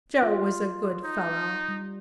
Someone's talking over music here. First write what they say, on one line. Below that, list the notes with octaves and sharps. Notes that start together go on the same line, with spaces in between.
Joe was a good fellow.
F4
D#4
G3